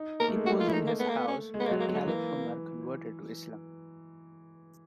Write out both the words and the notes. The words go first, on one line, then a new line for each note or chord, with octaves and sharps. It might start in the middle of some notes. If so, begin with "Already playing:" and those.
It was in his house where Caliph Umar converted to Islam.
Already playing: D#4
A#3 A#4
A3
G#3
A3 F#4
F4
E4
D#4
A#3
B3
A#3
B3
C#4
G#3
B3
A#3
F#3
A#3
F#3
A3
E3 A#3